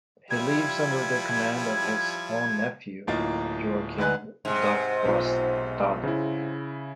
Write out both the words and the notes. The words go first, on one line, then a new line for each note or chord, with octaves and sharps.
He leaves under the command of his own nephew, Joachim Darquistade.
F3 G3 E4 G#6
D1 A2 A#3 D#4 F4 A6
D2 D3 D#4 B4 G#5 F#6
G#2 C3
B1 F4
C#3 E4